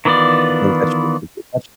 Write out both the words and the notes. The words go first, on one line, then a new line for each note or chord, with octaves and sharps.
keep in touch you keep in touch
D#3 E3 B3 F4 D5